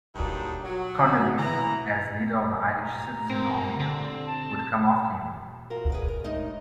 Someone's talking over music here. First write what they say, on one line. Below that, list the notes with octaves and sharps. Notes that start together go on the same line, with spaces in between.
Connolly, as leader of the Irish Citizen Army, would come after him.
G2 A#2 D3 F#3 D4 D#4
F#3
E3 A#5
A#5
B3 C4 A#4
D3 C4
A5
F4 F#4 A#4
G#4 B4 D5
A#4
A2 G#3 D4 D#4 D#5